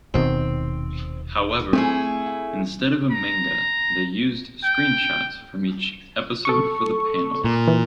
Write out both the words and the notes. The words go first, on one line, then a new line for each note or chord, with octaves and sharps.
However, instead of a manga, they used screenshots from each episode for the panels.
D#1 B2 D#3 C4
A3 C4 E4 G#4
A#5
G5
A4 C#6
A#2
E3